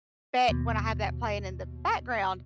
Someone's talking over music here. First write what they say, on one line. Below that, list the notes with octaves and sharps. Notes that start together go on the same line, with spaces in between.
but when I have that playing in the background,
D#2 B2